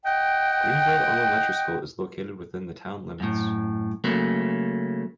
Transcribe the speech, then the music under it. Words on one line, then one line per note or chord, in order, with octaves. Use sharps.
Greenville Elementary School is located within the town limits.
D#5 F#5 G5
F#2 A2
C#3 F#3 A3 A#3